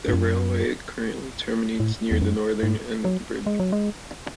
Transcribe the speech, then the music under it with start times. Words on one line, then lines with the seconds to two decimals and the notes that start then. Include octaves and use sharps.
The railway currently terminates near the northern end of the bridge.
0.08 G#2
0.13 F#2
1.80 A2
2.11 E2
2.22 F#2
2.63 G#2
3.05 F#3
3.46 G#3
3.60 F#3
3.72 G#3